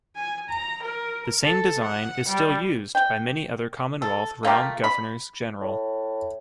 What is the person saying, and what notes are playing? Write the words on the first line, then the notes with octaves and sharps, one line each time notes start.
The same design is still used by many other Commonwealth Realm Governors-General.
G#5
A#5
A#4
A4
F#5
G3
G5
A4
A3 A#3 F4 G4
B5
A2